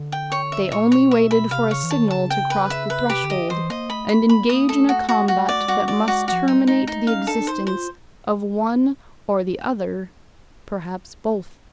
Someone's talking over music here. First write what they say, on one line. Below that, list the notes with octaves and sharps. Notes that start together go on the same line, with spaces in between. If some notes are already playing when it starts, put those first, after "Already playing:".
They only waited for a signal to cross the threshold; and engage in a combat that must terminate the existence of one or the other--perhaps both.
Already playing: D3
G5
C#5
E5
A#2 C#5
B2 C#5
E5
B5
C3 F5
C#3 C#5
E3
D#3 A5
D3
A5
C#3
G5
B4
E5
B4
C3 G4
D3
D#5
E3 C5
A#3 D#5
A3 B5
B5
A#3 B5
A#3 D#6
A3 A4
F#4
F#4
F#4
G#3
A3 D5
G#3
G3 F#4
G#3 D5
F#4
F3 F#4
F#3 D#4
G3
G#3 D#4
A3 D#4
C#4 F5
D4 A4
D4
D#4 C5
E4
F4 C5